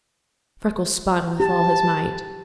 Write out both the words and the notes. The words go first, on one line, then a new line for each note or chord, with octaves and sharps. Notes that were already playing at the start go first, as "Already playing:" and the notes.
Freckles spun with all his might.
G4 A5